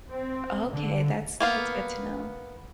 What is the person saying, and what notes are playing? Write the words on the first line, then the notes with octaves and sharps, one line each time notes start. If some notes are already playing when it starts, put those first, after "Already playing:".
Okay, that's that's good to know.
C4
D3
A#3 B3 F5